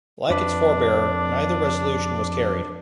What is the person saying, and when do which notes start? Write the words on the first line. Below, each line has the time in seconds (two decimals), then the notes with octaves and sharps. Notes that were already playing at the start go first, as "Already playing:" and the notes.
Like its forebear, neither resolution was carried.
0.30 F2 D4 B4